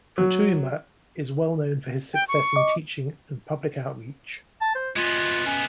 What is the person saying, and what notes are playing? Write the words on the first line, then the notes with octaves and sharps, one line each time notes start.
Futuyma is well known for his success in teaching and public outreach.
F#3
G5
C#6
D#5 D6
A5
C5
G#3 B3 F4
C#4